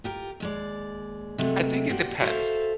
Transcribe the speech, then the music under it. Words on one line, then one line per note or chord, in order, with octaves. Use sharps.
I think it depends,
F4 G4 A#4
D#2 G#3 D5
C3 F#3 G#3 A3
A#2 F#4 G4
F#4 A4 C5 D5 E5 F5